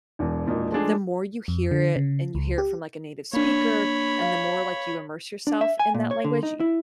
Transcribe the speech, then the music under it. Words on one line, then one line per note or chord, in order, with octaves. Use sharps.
the more you hear it and you hear it from like a native speaker, and the more, like, you immerse yourself in that language, y
E1 E2
E1 A#2 D#4
F3 G#3 A3 D4 G#4
F2
D3
C#3
C#2
G4
A#3 D4 C#5 B5
F5
D4
E5
G#5
A#2
C#5
D3
D#4
E4